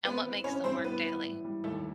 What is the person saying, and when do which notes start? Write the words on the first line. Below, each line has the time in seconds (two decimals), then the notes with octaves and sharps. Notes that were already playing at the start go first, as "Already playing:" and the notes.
and what makes them work daily?
0.05 B3 C4 B4
0.25 E3
0.44 G2 C#4 C#5
0.64 G3 C4 C5
0.84 A2 B3 B4
1.04 E3
1.24 A2
1.44 G3
1.64 D#2 A3 A4